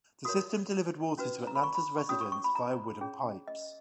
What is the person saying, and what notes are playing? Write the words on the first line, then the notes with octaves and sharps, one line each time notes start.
The system delivered water to Atlanta's residents via wooden pipes.
F#4 A#4 C#5 D#6
C#4 F#4 B4
A#5
B5
C#6
B5
C#6
C#4 F#4 C#5 D#6
C#6
C#6
B5
A#5
C#4 G#4 C#5
D#5